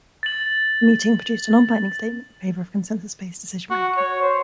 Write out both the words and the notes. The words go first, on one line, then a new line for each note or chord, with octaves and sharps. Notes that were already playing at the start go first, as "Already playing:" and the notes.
The meeting produced a nonbinding statement in favor of consensus-based decision-making.
A6 F#7
F#4
C#5
C5